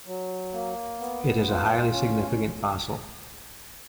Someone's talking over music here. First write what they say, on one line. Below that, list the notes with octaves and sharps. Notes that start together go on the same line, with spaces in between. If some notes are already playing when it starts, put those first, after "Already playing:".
It is a highly significant fossil.
F#3
A#3
B3
F4
C#4